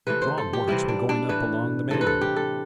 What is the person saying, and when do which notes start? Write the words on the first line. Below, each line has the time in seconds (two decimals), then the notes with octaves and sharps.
Strong works were going up along the mainland.
0.07 C3 E3 A3 B4
0.22 C5
0.38 A4
0.53 G4
0.68 C3 E3 G3 E4
0.88 D4
1.09 D4
1.29 A2 E3 A3 B4
1.90 C3 E3 A3 A4
2.01 B4
2.07 A4
2.21 G4
2.36 A4